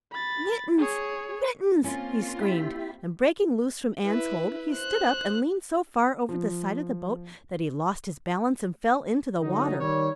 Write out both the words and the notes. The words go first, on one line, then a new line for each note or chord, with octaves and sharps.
"Mittens! Mittens!" he screamed, and breaking loose from Ann's hold, he stood up and leaned so far over the side of the boat that he lost his balance and fell into the water.
B5 A6
G#4 C#5
A#3 C4 C#4 F4
E4 G4 B5
E4 B4
C5 F#6
F3
D3 F#3 D#4
D#3 G3 C#5